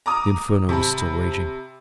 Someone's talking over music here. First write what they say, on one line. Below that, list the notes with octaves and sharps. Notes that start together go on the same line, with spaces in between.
The inferno was still raging.
A#5 D6 D#6
C3 A5 B5